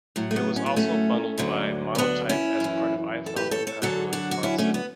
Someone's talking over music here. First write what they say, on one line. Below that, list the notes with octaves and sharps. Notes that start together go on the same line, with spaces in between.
It was also bundled by Monotype as part of iPhone Compatibility Font Set.
A2 F#3
A3
B3
C#4
B3
A3 C#4
D2 D3 F#3
C#4
B3 D4
C#4 E4
F#2 E3
A4
G4 B4
A4 C#5
A4 C#5
F#2 D3 F#3 F#4 A4
D4 F#4
F#4
C#4 E4
A3 C#4
B3